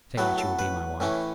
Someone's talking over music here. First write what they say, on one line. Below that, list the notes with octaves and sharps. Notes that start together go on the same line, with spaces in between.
"Say that you will be my wife."
A2 F#3 B3 A4
A4
B4
A2 E3 A3 C#4